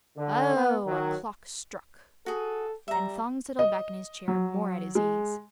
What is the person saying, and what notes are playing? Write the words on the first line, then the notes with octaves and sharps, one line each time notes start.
"Oh, a clock struck!" and Thong settled back in his chair more at his ease.
D3
B3
D#3 F#3
F#4 G#4 A4
G3 E5 A#5
D#5
F#3
G#3